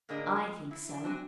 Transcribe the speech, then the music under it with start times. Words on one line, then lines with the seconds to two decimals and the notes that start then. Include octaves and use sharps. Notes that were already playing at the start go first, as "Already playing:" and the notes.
"I think so."
0.09 A2 D3 A#3 D4 G#4 D#5
0.36 F2
0.71 E4
0.89 D4
1.04 C4 D4 F#4 G#5